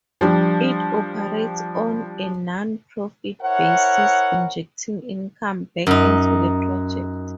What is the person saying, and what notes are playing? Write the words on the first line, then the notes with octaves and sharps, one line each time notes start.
It operates on a non profit basis, injecting income back into the project.
F3 G3 D4
E4 A#4 C5 C#5 E5 F#5
F#2 D#4